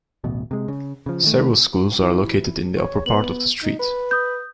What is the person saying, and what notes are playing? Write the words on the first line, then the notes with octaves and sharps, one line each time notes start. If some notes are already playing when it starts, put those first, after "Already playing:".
Several schools are located in the upper part of the street.
D1 A1 B2
C3 G#3
C#3
C#3 F3
D#3 A3
E3 E4
C#5
B3 F#7
D#4
B4
D#6 G6